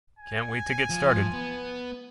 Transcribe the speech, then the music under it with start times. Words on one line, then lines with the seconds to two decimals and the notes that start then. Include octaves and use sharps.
Can't wait to get started!'.
0.19 G#5
0.90 F3
1.34 B3